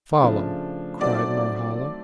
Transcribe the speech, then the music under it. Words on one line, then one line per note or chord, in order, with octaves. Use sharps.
"Follow," cried Norhala.
C#3 F3 A3 D4
F#3 A3 C4 D#4 F#4 D5